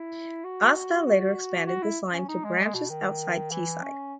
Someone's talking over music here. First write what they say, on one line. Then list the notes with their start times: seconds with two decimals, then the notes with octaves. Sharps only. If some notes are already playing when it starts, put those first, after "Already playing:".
Asda later expanded this line to branches outside Teesside.
Already playing: E4
0.44 F#4
1.06 F#4
1.67 F#4
1.82 E4
2.13 C#4
2.29 D#4
2.44 G#3
2.60 G#3
2.74 B2
2.90 D#3
3.51 E3
3.82 C#4